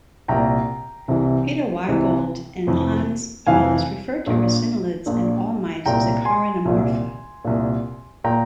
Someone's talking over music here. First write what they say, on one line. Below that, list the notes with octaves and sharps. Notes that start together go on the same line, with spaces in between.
Peter Weygoldt and Hannes Paulus referred to ricinuleids and all mites as "Acarinomorpha".
C2 A#2 G5 A#5
C2 C3 E3
C2 C3 E3
F1 F2 E3
F1 F2 E3 F5 G#5
A#1 A#2
A#1 A#2
C2 A#2 G5 A#5
G#5 C6
C2 A#2
C2 A#2
A#2 G5 A#5